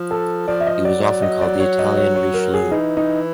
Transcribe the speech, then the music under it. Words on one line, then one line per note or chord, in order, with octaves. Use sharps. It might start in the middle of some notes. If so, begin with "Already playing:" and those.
He was often called the "Italian Richelieu".
Already playing: F3
A4
F3 D5
E5
D#5
F#3 D5
D5
D#5
D5
C#5
D#5
C#5
C#5
A#4
G#4
E3 D#4
D#4